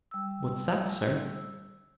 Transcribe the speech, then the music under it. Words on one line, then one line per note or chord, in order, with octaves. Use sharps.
"What's that, sir?"
G3 E6